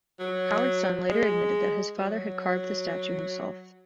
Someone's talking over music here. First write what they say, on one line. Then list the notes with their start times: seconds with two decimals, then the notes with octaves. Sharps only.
Howard's son later admitted that his father had carved the statue himself.
0.19 F#3
1.09 G#3
1.97 F#3